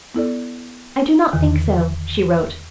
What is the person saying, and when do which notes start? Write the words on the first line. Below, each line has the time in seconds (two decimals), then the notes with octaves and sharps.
"I do not think so," she wrote.
0.14 B3 E4 A4 D5
1.33 E2 D3 D#3